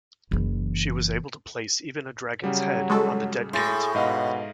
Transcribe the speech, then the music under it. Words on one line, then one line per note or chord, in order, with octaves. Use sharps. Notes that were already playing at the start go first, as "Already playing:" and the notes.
She was able to place even a dragon's head on the "Deadgate".
F#1 E3
C#3 F#3 G3
G#3 F#4 A4
A2 G#4 C6 A6 A#6
G#2 B2 D#5 F5